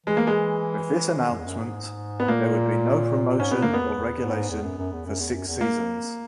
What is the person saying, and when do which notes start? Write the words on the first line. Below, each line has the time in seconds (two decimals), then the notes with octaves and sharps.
With this announcement there would be no promotion or regulation for six seasons.
0.06 E3 G#3
0.17 A#3
0.27 G#3
1.17 D#3
1.31 F#2
1.39 E2
1.45 F#2
1.59 G#2
2.20 B3
2.28 A#2 A#3
3.40 G#2 C#4
3.51 A#2 B3
3.62 A#3
3.68 F#2
3.74 B3
3.81 E2
3.95 E2
4.22 G#2
4.51 E2
4.64 F#2
4.78 F#2
4.93 E2
5.06 F#2
5.20 E2
5.33 F#2
5.48 E2
5.61 A#3